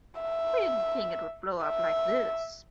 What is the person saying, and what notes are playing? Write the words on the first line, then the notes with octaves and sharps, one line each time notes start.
We didn't think it would blow up like this.
E5
E5